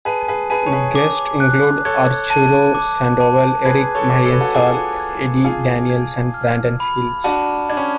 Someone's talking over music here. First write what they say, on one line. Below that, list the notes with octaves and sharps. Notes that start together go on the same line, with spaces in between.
Guests include Arturo Sandoval, Eric Marienthal, Eddie Daniels, and Brandon Fields.
G#4 B4 A5
G#4 B4
G#4 B4 A5
C#5
G#4 B4
D6
F#6
A4 C#5 G#6
A5
D6
A5
G#4 B4 G#6
A4 C#5
D6
A4
B4
F#4 A4
F4 G#4 D6
G#6
F4 G#4 G#6
G#6
F6
B5
D4 F#4 A5
D4 G#6
C#4